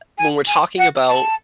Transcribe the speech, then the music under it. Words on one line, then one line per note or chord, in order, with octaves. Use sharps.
when we're talking about
G#5
G#5
F#5
A5